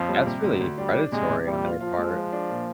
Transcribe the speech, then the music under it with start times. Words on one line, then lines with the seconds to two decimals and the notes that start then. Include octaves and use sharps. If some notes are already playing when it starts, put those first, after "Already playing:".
That's really predatory on their part.
Already playing: F2 F3
0.09 G3
0.26 C3
0.43 D2
0.60 D2
0.78 G3 D4
0.95 D4
1.12 C3 G#3
1.29 C3
1.46 A#2 G3
1.63 F4
1.80 F3 F4
1.98 G#3
2.15 G#3
2.32 D4
2.49 A#2